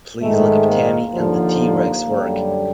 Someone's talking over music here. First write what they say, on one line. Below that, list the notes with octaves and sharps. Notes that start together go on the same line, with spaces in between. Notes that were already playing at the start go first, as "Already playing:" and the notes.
Please look up Tammy and the T-Rex work.
G#2 D#3 G#3 A3
A#3
D#2 D3 F3
F#2 D3 G3